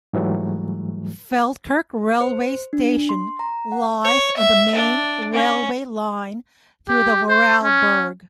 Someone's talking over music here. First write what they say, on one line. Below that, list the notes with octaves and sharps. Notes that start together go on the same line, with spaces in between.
Feldkirch railway station lies on the main railway line through the Vorarlberg.
G#2 E3 F#3 G3 A3
C5
D4
C6
A#5
F#5
C#5
E5
D4
C#4
G4
C5
C#4